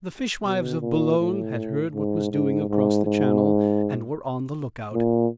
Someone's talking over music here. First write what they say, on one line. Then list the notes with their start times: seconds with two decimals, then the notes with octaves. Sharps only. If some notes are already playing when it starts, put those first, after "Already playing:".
The fishwives of Boulogne had heard what was doing across the Channel, and were on the lookout.
0.44 B2
0.81 A#2
1.19 A2
1.94 G#2
2.31 G#2
2.69 G#2
3.06 G#2
4.94 A#2